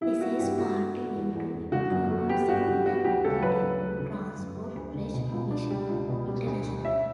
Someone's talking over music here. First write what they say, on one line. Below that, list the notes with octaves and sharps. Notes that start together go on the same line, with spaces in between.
This is partly due to improvements in the ability to transport fresh fish internationally.
G3 E4
G3 F#4
G2 G4
A3 F#4
A3
A3
E2
E2
E2
D3 F#4
F#2
A3
B3 G4
G2 F#4
B3 G4
G3 F#4
D2 G4
C#3 A4
F#3 B4
D2
F#3
D3
A3
F#2
G3
D2
D3
B2
C#2
D4
G3
C#2
B2
G3
D2
G3
C#4 E5